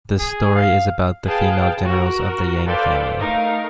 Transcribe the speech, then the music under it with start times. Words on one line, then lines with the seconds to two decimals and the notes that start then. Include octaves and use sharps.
The story is about the female generals of the Yang Family.
0.19 G#4
0.56 F5
1.25 G#4 B4 F5 G5 A5
1.85 F#4 A#4
2.65 A4 B4 C5 D5 F5 G5
3.18 A3 D#4 A#4 F5